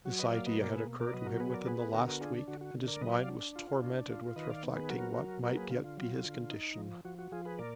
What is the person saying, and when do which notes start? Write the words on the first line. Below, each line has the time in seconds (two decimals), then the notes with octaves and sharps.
This idea had occurred to him within the last week, and his mind was tormented with reflecting what might yet be his condition.
0.05 F#3 F#4
0.19 B4 D#5
0.32 A#3 D5 F5
0.46 B4 D#5
0.59 B2 A#4 D5
0.73 G#4 B4
0.86 B2
1.00 A#4 D5
1.13 F#3 B4 D#5
1.26 F#4 A#4
1.40 B3 G#4 B4
1.54 A#4 D5
1.67 B3 G#4 B4
1.94 D3 F#4 A#4
2.20 D4 F4 G#4
2.48 D3 F#4
2.61 F#4
2.75 D3
2.88 A#4 D5
3.01 F#3 B4 D#5
3.15 D5 F5
3.28 D4
3.56 F4
3.82 D4
4.09 F4
4.36 D#3 B4 D#5
4.49 D5 F5
4.63 B3
4.76 G#4 B4
4.89 F#3 F#4 A#4
5.16 F#3
5.43 A#3 F#4 A#4
5.57 G#4 B4
5.70 D3 F4
5.84 F4
5.97 F#3
6.25 D3
6.51 D#4
6.78 F3
7.05 F3 F#4
7.19 F#4
7.32 F3 F4 G#4
7.45 G#4 B4
7.59 A#2 A#4 D5